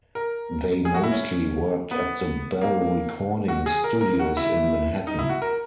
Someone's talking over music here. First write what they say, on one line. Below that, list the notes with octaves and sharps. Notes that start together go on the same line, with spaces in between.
They mostly worked at the Bell recording studios in Manhattan.
A#4
G#4
F#4
E4
C#4
B3
A#3
F#4
G#4
A#4
A#4
F#4
E4
D#4
E4
F#4
A#4